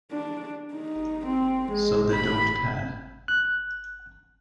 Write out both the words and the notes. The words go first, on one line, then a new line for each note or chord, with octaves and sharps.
So they don't care.
D4
D#4
C4
G#3
B5
F#6